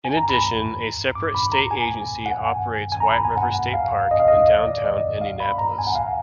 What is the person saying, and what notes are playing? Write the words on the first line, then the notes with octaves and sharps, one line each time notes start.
In addition, a separate state agency operates White River State Park in downtown Indianapolis.
G#5
A#5
B5
D6
B5
A#5
G#5
F#5
G#5
G#5
A#5
B5
A#5
G#5
F#5
F5
D#5
F5
D#5
D#5
D5
D#5
F5
B5
A#5
G#5
F#5
F5